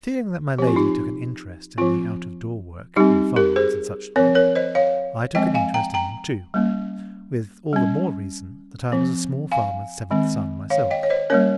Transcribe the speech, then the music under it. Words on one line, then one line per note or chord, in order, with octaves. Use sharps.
Seeing that my lady took an interest in the out-of-door work, and the farms, and such like, I took an interest in them too--with all the more reason that I was a small farmer's seventh son myself.
F3 C4 G4
F4
D#4 G4
F3 C4 F4
G3 C4 D#4 G4
G4 A#4
G#4 C5
F3 C4 A#4 C#5
A#4 C#5
C5 D#5
C#5 F5
F3 G#3 C4 D#5 G5
F5 G#5
G5 A#5
G5 A#5
G3 A#3 C#4
G3 C#4
F3 C4
F5 G#5
D#3 G#3 C4
C#5 F5
D#5 G5
C#5
C5 D#5
G3 A#3 C#4 A#4 C#5